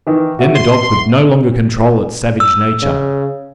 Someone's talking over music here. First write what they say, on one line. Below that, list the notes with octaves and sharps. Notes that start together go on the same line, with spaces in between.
Then the dog could no longer control its savage nature.
D#3 E3
F#4 E5
C6
E6
C#3